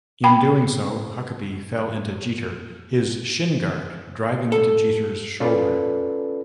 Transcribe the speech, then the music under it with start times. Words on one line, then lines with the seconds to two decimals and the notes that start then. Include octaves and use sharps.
In doing so, Huckaby fell onto Jeter; his shin guard driving into Jeter's shoulder.
0.24 G5 B5
4.52 A4
5.40 C#4 F4 A4 B4 D5